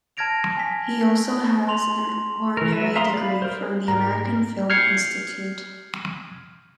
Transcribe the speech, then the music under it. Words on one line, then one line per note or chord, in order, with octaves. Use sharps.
He also has an honorary degree from the American Film Institute.
A5 F6 G#6 A#6 D7 F7
G#5 B6
C6 F7 F#7
E3 A#4
F#3 A#4 B4 E5
E5 F5 A#5 C6 D#6
D5 F5 B5
A#4 C5
G#2 A#4 A#5
F6 G6 G#6 C7 C#7